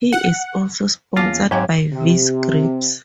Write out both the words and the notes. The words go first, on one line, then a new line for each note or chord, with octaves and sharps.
He is also sponsored by Vise Grips.
F#5
E2 A#3 C#4 F4 A5 D6 A#6
G#2 F#3 C4 G4 C#5 F5 G#6
C3